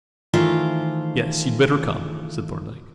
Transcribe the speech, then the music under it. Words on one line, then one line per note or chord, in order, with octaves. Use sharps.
"Yes, you'd better come," said Thorndyke.
D#3 E3 A3 F4 C5